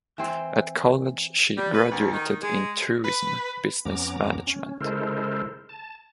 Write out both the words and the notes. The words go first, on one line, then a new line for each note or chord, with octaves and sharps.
At college she graduated in Tourism Business Management.
E3 C4 C5
G3
B4
D2
D#3
G#3
B4
F2 B3 C#4 A#5 D6
C#4
C#3 G#3 E4 A4 A#4 C5
A5